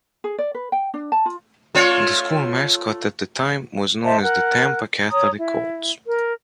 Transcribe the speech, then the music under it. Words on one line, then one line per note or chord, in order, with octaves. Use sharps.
The school mascot at the time was known as the Tampa Catholic Colts.
G#4
D5
B4
G5
D4
A5
F4
A3 F4 C#5
C5 D#5 E5 A5
A#4 F#5 F#6
C#5 A#5 D#6
E4
A#4